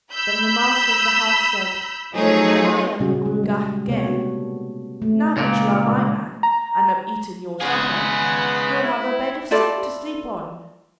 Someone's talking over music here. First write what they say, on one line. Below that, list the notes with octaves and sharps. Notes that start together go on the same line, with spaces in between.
Then the master of the house said: "I am the Gruagach Gaire; now that you are my man and have eaten your supper, you'll have a bed of silk to sleep on."
B5 E6 G6 B6
F3 F#3 A3 D#4 G#4 C#5
A#2 C#3 G3 C#4 F#4 G#4
G#3
G3
C3 A#3 B3 C#5
D4 F#4
A3
C#2 A#2
A#5
C#3 G#3 B3 G#4 F#5
E4
E4 F4 A4 D5